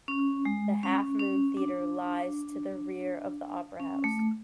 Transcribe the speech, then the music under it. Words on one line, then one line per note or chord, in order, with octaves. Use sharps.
The Half Moon Theatre lies to the rear of the Opera House.
C#4
G#3
C#4
C#4
D4
C#4
A3